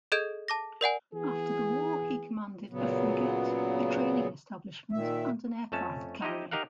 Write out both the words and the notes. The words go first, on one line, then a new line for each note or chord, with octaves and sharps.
After the War he commanded a frigate, a training establishment and an aircraft carrier.
G#4 A4 D#5 G6 G#6 D7
A5 D6 A#6
A#4 D5 F#5 G#5
E3 B3 G#4
A#2 C#3 F#3 B3
A#2 D#3 E5
F2 A3 C#4 A5
D#4 E4 G4 D#5
D#4 G4 A#4 F5 F#5